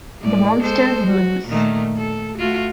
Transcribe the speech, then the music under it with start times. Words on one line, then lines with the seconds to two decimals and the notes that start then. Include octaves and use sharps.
The Monster's Loose.
0.20 A2 D5
0.61 G#3 A4 C5
1.07 F#4
1.48 A#2 D#3 A3
1.97 A4
2.38 A3 F4 F#4